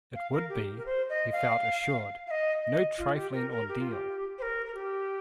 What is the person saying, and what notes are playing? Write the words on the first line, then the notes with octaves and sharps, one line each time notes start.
It would be, he felt assured, no trifling ordeal.
F5
A#4
G4
A#4
C5
D#5
F5
F5
D#5
D#5
F4
G4
A#4
A#4
G4
F4
G4
C5
A#4
A#4
G4